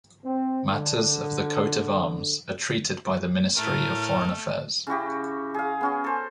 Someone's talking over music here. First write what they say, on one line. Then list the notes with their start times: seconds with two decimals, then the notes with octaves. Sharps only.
Matters of the coat of arms are treated by the Ministry of Foreign Affairs.
0.25 C4
0.69 D3
3.56 A2 A3 A#4 F6
4.87 C#3 E4 F#4 G4
5.54 G#4 F5
5.81 B3 C#4 F#4
6.04 A4 C5